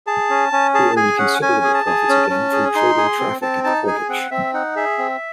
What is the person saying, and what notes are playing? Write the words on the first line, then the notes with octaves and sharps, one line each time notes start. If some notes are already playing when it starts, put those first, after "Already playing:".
He earned considerable profits again from trading traffic at the portage.
G#4 A5
C#4
C#4
G#4 A5
G#4 G#5
C#4 F#5
C#4 G#5
G#4
A5
G#4
C#4
C#4
G#4
D#4 C6
G#4
C4
C4 A5
D#4 A5
G#4 G#5
C4 F#5
C4 E5
D#4 F#5
G#4 E5
C4